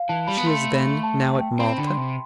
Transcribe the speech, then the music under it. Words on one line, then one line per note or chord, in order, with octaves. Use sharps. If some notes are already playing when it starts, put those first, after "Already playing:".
"She is, then, now at Malta?"
Already playing: F5
E3 A5
G3 B5
B3 B5
A3 C6
B5
A5
G5
G5
C4 B5
D3 B5
C6
C3